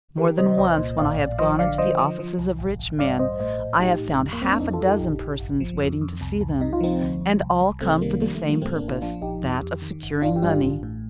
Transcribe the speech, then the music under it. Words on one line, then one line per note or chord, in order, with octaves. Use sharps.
More than once when I have gone into the offices of rich men, I have found half a dozen persons waiting to see them, and all come for the same purpose, that of securing money.
D#3 G4 A#4
C3 C5 D#5
C2 C5 D#5
A#2
A1 D5 F5
A1
F3 C5 D#5
D3 D5 F5
F3 C5 D#5
F3
F3
C2
A1
A1
G2 D5 F5
A1 C5 D#5
A2 C5 D#5
A#1
A2 D#4 G4
A1
F2
A#3
F2 C4
D4
F2 C4 D#4
F4 A4
F2
D#4 G4
A#1
A#1
G1
F3
F2
F2
C2
C2
C3 D#4
F4
F3 C4 D#4
D2
D2
C2
C2
C3 A3 C4
D#3 G3 A#3
F3 G3 A#3
A3
D3
G3 A#3
A2 A3 C4
A#3 D4
A1
D4 F4
F3 D4 F4
A#1 D#4 G4
F2
F2
D#3
G1
G1 D4 F4
G4
G2 D4 F4
A1
A2